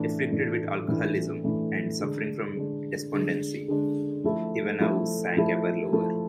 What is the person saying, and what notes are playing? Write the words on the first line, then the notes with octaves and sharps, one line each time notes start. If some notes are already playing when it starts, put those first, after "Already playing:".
Afflicted with alcoholism and suffering from despondency, Ivanov sank ever lower.
Already playing: A2 E3 A3 D4
A2 E3 A3 D4
A2 E3 A3 D4
A2 E3 A3 D4
D3 G#3 D4
D3 G#3 D4
D3 G#3 D4
D3 G#3 D4
F3 A3 E4 A4
F3 A3 E4 A4
F3 A3 E4 A4
F3 A3 E4 A4